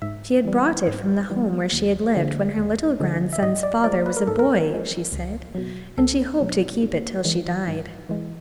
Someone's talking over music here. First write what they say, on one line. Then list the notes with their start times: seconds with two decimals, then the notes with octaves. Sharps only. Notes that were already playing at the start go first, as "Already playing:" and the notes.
She had brought it from the home where she had lived when her little grandson's father was a boy, she said, and she hoped to keep it till she died.
0.02 G#2 E5
0.45 E3 G3
0.87 G#2
1.30 E3 G3
1.72 D#2
2.14 D3 F3 G#3
2.57 D#2
3.00 D3 F3 G#3
3.33 E5
3.42 G#2 D#5
3.63 D5
3.84 F3 G#3 D5
4.06 B4
4.17 A#4
4.27 G#2 A4
4.39 A#4
4.70 F3 G#3
5.12 C#2
5.55 B2 F#3
5.98 C#2 A4
6.40 B2 F#3
6.82 G#2
7.25 E3 G#3
7.68 G#2
8.09 E3 G#3